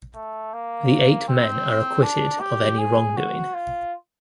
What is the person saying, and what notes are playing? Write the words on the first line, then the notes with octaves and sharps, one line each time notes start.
The eight men are acquitted of any wrongdoing.
A3
A#3
C4
D4
G4
G#4
F#4
F4